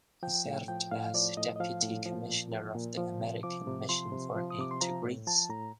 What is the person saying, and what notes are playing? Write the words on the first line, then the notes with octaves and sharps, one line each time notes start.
He served as Deputy Commissioner of the American Mission for Aid to Greece.
F3 G5
A2
F3 G5
A2 F5
F3 D5
A2 D#5
D#5
F3 F5
A2
F3
A#2
F3
A#2
F3
C3
F3 D6
C3
F3 C6
C3
F3
D#6
C3 D6
C6
F3 A#5
A2
F3 A5
A2 A#5